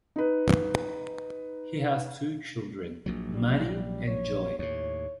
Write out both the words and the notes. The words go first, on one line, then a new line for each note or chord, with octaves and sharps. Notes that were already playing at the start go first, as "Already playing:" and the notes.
He has two children, Madi and Joey.
D#4 B4
A#1 A#2 F#3
G3
C#5
D#2 A2 C#5